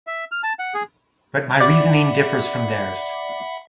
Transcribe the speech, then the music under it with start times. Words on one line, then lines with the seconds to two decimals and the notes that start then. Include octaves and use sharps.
But my reasoning differs from theirs.
0.07 E5
0.32 F6
0.43 A5
0.59 F#5
0.74 G#4
1.60 D5 E5 F#5 B5